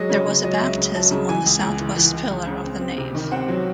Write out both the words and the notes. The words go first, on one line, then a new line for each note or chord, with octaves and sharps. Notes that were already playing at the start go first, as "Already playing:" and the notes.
There was a Baptism on the south-west pillar of the nave.
Already playing: F#3 G#3 D#5
C#3 C#5
C#3 C#5
F#3 D#5
C#2 E5
C#3
F#3 A5
C#3
E3 G#5
C#2
C#2
E3
E3
C#2
C#2
C#3
C4
C4
C3
D#3
C4 F#5
F#3